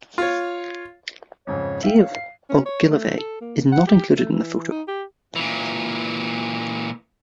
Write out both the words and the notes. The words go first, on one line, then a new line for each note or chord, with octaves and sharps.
Dave Ogilvie is not included in the photo.
F4 C#5
F2 G#2 C#3 C#5
E5 F5 G5
C#5
C7
C#4
C#5
A3
A4
A#3
F#5
G4
A3
E3
D#4
G4
A#2 E3